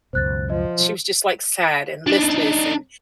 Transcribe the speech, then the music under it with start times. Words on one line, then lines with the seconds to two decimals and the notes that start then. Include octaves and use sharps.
she was just, like, sad and listless, and,
0.13 C#2 F#2 B2 C5 F#6 A6
0.50 F3 D#5
2.07 D4 D#4